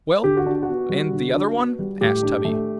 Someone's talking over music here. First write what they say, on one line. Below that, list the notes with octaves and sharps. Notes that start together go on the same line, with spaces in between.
'Well, and the other one?' asked Tubby.
D3 G4
F#4
D4
F#4
B3
G3
D3
D4
B3
G3
A2 G4
D4
A3